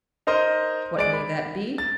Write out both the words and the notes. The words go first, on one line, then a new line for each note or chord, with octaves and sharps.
What may that be?
D#4 A#4 C5 D#5
G#3 D5 D7
B5
A6